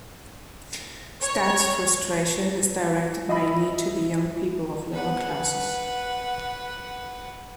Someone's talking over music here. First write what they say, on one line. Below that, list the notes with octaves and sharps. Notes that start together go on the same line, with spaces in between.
Status frustration is directed mainly to the young people of lower classes.
C#5
D#5 E5 B5
B4 F#5